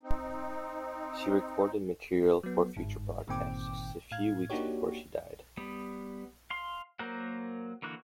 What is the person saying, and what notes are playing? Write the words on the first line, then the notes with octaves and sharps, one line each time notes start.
She recorded material for future broadcasts just a few weeks before she died.
C4 D#4
F#3 B3
G1 G#2
G1 A#2 D#3 C4 G5 D6
A2 F5 G#6
A#3 D4 D#4 F#4 G4 C#5
G3 B3
F5 C6
F#3 A#3 A#4 C5 F#5
D3 E3 A#3 F#4 F#6